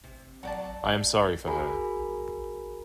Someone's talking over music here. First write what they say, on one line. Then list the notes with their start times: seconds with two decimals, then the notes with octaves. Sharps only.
I am sorry for her.
0.04 C3
0.43 F#3 D5 F#5 G5 A5
1.47 F#4 G#4 A#4 G#5 A#5 B5